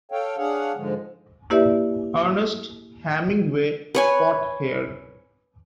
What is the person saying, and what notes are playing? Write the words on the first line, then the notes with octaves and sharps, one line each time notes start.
Ernest Hemingway fought here.
A4 C#5 F5 G5
D4 G#4 C#5 F5 F#5
G#2 D3 F3 G#3
A#3 E4 G4 B4 D5 E5
B4 C#5 G#5